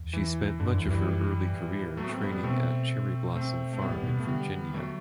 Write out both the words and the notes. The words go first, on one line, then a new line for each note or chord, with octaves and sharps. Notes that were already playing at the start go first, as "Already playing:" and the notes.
She spent much of her early career training at Cherry Blossom Farm in Virginia.
Already playing: E2
E3
G2 D3
F#2
E2 E3
F#2 E3 G3
A2
F#3 A3
B3
A3 C4
G3 B3
G3 B3
B2 A3 C4
A3 C4
A3
G3 B3
A2
B2
C3 A3
D3 G3 B3
F#3 A3